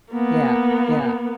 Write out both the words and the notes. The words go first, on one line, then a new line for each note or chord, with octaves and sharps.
Yeah, yeah.
A#3 B3